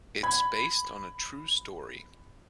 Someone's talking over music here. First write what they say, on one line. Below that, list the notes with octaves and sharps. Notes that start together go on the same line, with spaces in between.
It's based on a true story.
B5 G#6